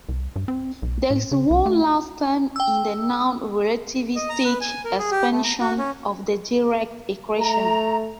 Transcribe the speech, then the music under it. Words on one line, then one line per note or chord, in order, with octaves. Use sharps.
There is one last term in the non-relativistic expansion of the Dirac equation.
C2
G2
C4
B1
A2
C#3
C2
A3
G5 E6
D#5
A#5
B4
G#5
A#4
G#4
G4
A3
A#5
F#4
C#4
A3 A#5